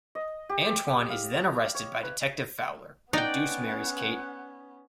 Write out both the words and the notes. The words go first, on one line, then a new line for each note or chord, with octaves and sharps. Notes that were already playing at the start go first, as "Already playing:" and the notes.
Antoine is then arrested by Detective Fowler, and Deuce marries Kate.
D#5
G4
D#6
F5
C#5
B4
B3 C#4 D#4 D5 F#5 G5